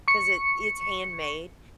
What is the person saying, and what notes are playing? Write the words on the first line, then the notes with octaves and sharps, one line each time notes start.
'cause it it's handmade.
C#6 C#7